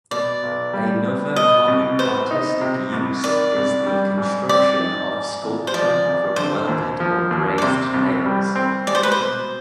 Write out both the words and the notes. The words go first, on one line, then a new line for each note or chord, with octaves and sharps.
Another common artistic use is the construction of sculpture from welded or brazed nails.
B2 D5
B1
G3
B3
B2 D#5
C2
B3 C5
D#4
C3
C2
D#3 D5
C2
G3
G#2
C4 D5
D#4
G#2
G#1
C5
F3 D5
G#1
D3 C5
D#2
F3
D#2
D5
C3 C5
C2
G3
C4
G#3 D5
C5
B4
C5
B2